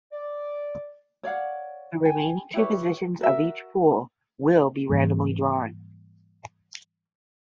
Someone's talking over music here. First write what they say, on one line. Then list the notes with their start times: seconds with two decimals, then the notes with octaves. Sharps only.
The remaining two positions of each pool will be randomly drawn.
0.13 D5
1.23 C#5 D5 F5 F#5
2.05 G5 G#5
2.54 E4 G4 B4 C#5
3.21 F#4 A#4 E5
4.89 G#2 E3 G3 A#3